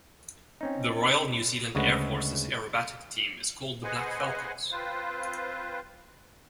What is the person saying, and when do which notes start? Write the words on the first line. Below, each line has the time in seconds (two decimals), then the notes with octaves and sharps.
The Royal New Zealand Air Force's aerobatic team is called the Black Falcons.
0.61 C4 C#4 D#4
1.75 D2 C#3 G#3 B4 C5 F#5
3.84 G#4 B4 C5 D#5 F#5 G#5
4.71 C4 F4 B4 C5